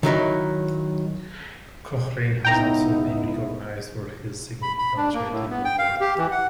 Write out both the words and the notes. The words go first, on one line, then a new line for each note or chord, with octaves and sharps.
Cochrane has also been recognized for his significant charitable work.
D#3 F#3 D#4 E4
C#2 B3 D#4 E4 G5 A#5
B5
B5
D4
A#3
A2
B3
G5
F5
G4
E3
F#5